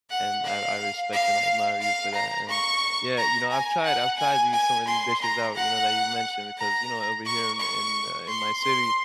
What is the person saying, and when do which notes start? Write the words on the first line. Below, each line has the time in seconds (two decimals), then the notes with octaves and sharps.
and I I respect and I admire you for that, and Yeah, you know, I've tried I've tried these some of these dishes out, you know, that you've mentioned 'cause, you know, over here in in, uh, in my city,
0.10 F#5
0.44 F5
1.13 F5
1.81 F5
2.14 A#5
2.49 C#6
3.17 A#5
3.51 G#5
3.85 F#5
4.19 G#5
4.53 G#5
4.87 C6
5.22 A#5
5.55 F#5
6.58 A#5
7.26 C#6
7.60 C#6
8.28 C6
8.62 C6